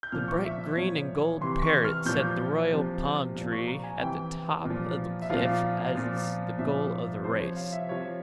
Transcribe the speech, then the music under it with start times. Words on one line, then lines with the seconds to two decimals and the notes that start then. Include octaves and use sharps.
The bright green and gold parrot set the royal palm tree at the top of the cliff as the goal of the race.
0.03 G6
0.12 A#2 F3 F6
0.28 C#6
0.45 E5
0.61 E5
0.77 A#2 F3 C#5
1.41 C3 E3 C6
1.62 C#6
1.85 F6
2.06 A#2 F3 G6
2.71 C3 F3
3.35 A#2 F3
3.52 C#6
3.68 A#5
3.84 G#5
4.00 C3 E3 G5
4.65 A#2
4.70 F3
5.22 E5
5.29 A#2 F3 F5
5.95 A#2 F3
6.59 A#2 F3 E5
7.24 C3 F3 C5
7.40 C#5
7.56 F5
7.73 E5
7.89 C3 F3 C#5